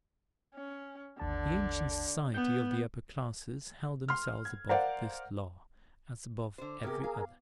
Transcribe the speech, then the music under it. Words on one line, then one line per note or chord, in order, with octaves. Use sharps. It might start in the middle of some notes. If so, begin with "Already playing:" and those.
The ancient society of the upper classes held themselves above this law, as above every other.
C#4
G#1 D#2 D3 A5
B3 G6
C6 F6
G#6
A#4 C5 D5 F5 F#5
D3 C5
C3 B3 G4 G#4 A#4
F5